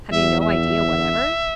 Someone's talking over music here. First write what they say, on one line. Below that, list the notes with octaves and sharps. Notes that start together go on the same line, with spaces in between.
"Have you no idea whatever?"
E2 E5
E5